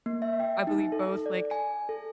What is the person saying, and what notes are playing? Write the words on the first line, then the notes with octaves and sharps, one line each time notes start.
I believe both, like,
A#3
E5
G5
D#4
A4
D5
G#5
A4